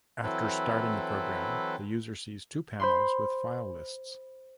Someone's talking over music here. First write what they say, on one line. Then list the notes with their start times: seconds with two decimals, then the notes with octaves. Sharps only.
After starting the program the user sees two panels with file lists.
0.23 E3 F#3 C4 E4 A4 B4
2.80 C5 B5 C6